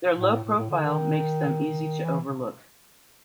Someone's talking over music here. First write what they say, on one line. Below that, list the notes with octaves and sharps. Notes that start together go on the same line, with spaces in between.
Their low profile makes them easy to overlook.
A2
A2
A2
D3
D#3
E3